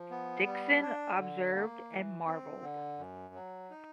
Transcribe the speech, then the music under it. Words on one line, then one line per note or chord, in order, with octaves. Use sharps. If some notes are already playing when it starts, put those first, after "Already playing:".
Dickson observed and marvelled.
Already playing: F3
B3
G3
D4
D3
A#3
E3
C4
D3
F#2
F#3
D#4